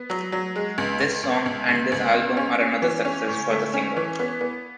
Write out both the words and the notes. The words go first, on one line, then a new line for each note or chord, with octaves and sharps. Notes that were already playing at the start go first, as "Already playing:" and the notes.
This song and this album are another success for the singer.
Already playing: B3
F#3
F#3
G#3
C#2
C#2
C#2
C#2
C#2
C#2
C#2
C#4
C#4
E3
C#4
A2
A3
C#4
E3
B3
B3